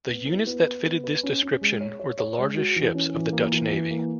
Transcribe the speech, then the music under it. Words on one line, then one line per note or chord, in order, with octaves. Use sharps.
The units that fitted this description were the largest ships of the Dutch navy.
B3
E4
B3
B4
B3
B4
C#4
C#4
G#3
C#5
C#5
C#5
G#3
F#4
E3
C#4
E3
A#3
E3
E3
A#3